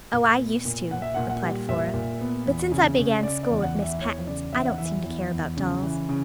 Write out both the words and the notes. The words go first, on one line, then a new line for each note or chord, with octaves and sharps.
"Oh, I used to," replied Flora, "but since I began school at Miss Patten's I don't seem to care about dolls."
A#2
B3
A#2
A#2 F#5
E5
A#2 F#5
F#5
G3
A#2 E5
A#2
B3
E2
C#3
C#3
C#3 D5
D5
E2
F#5
E3
E5
E2 C#5
C#3 D5
E2 E5
F#5
E3 E5
E2
E2
C#3
E3
C#3